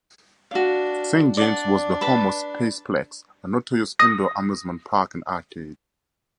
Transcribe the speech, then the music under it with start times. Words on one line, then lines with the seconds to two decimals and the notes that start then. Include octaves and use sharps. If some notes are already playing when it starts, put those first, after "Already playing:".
Saint James was the home of Spaceplex, a notorious indoor amusement park and arcade.
0.51 D4 F#4 F5
1.37 D4 D5 F#5
2.01 B4 A5 B5
3.99 D#6 A#6